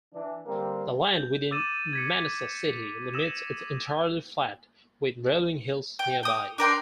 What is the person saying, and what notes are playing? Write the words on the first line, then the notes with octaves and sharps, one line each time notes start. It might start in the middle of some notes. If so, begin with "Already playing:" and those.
The land within Manassa city limits is entirely flat, with rolling hills nearby.
E3 D4
D3 G3 A#3 C4 A#4
G6
D6 E6 A6 D#7 E7
G#6 B6 C#7
D#6 E6 A#6 E7
G5
G5 D#6
D4 A#4 G5 C6